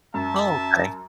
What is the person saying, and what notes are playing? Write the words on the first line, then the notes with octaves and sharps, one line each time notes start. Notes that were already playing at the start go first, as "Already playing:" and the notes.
Oh, okay.
F#2 E5 A5